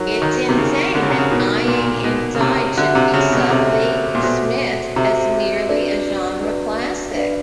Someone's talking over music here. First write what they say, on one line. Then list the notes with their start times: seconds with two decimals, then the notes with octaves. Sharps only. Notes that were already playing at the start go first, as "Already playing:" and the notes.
It's insane that 'Dying Inside' should be subtly dismissed as merely a genre classic.
Already playing: F#3 D#4 F#4 A#4
0.22 D#3
0.49 C3
0.58 C#3 D#4 F#4 A#4
0.95 D3
1.02 C#3
1.10 C3
1.18 C#3
1.31 B2 D#4 F#4 A#4
1.68 A#2
2.04 B2 D#4 F#4 A#4
2.35 C#3
2.41 C3
2.77 D3 F#4 A4 C5 E5
2.95 C3
3.14 C#3
3.32 B2
3.50 C3 F#4 A4 C5 E5
4.15 A#2
4.23 B2 F#4 A4 C5 E5
4.96 C3 F#4 A4 C5 E5
5.69 D4 F#4 B4 D5
6.42 D4 F#4 B4 D5
7.15 D4 F#4 B4 D5